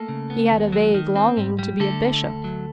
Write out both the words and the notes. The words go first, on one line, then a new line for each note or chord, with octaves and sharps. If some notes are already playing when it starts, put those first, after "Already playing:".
He had a vague longing to be a bishop.
Already playing: A3 A#3 A4
C#3
B3
D#2
F#3
D#3
C4
G#2
G3
D3 A3 A4
D2
D2
F#3